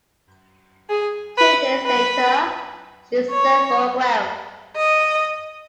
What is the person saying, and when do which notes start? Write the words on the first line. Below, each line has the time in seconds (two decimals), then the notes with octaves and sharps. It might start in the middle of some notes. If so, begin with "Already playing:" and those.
Two days later, she sailed for Guam.
0.89 G#4
1.38 B4
1.86 B4
3.31 C#5
4.76 D#5